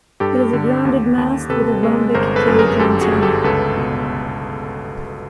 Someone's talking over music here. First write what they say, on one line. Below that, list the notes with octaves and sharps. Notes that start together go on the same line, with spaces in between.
It is a grounded mast with a rhombic cage antenna.
G2 G4 A4
D3
D#2
D#2
C3 A4 B4
G#3
G1 A#4 C5
A4 B4
F#2
G#4 A#4
F#2 G4 A4
F#4 G#4
G1
G4 A4
C#2 A4 B4
B2